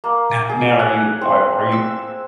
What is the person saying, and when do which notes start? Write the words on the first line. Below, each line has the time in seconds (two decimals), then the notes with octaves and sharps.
No now are you are are you
0.04 A#3
0.49 G#4
0.79 F#5
1.21 C4
1.72 E6